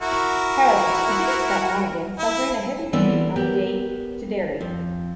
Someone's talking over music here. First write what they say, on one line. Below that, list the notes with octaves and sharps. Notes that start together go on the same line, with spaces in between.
However it didn't stop Monaghan suffering a heavy defeat on the day to Derry.
E4 F#4 A#4
E4
E3 G3 B3 C4 A4 D5
B3 G4 A#4
F2